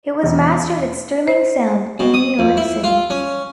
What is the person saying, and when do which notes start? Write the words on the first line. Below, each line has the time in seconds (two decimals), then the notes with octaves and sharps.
It was mastered at Sterling Sound in New York City.
0.23 E1
1.28 C5
2.00 B2
2.14 D#6
2.39 F2
2.57 E4
2.84 F4
3.10 C#4